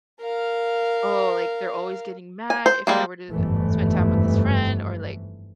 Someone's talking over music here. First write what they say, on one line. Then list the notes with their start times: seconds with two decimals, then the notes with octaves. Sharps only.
"Oh, like they're always getting mad if I were to spend time with this friend," or like,
0.20 A#4 F5
2.50 G#5
2.66 C5
2.87 G3 G#3 A#3
3.30 G1 F2 G#2 E3 A3